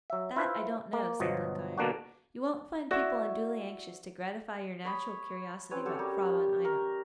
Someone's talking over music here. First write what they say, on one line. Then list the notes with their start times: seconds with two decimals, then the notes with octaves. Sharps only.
'That I don't know,' said Blenkiron. 'You won't find people unduly anxious to gratify your natural curiosity about Frau von Einem.'
0.10 F#3 E5
0.36 E4 F4 B4 C5 E5
0.93 A#3
1.20 G1 B2 F3 F#3 D#5
1.78 B2 D3 A#3 D4 F#4
2.91 E4 F#4 D5
4.85 C#5 B5 D#6
5.71 C4 C#4 B4 C#5
5.85 F#4 G4 A4 C#5
5.99 G3 G4 A#4
6.65 A#4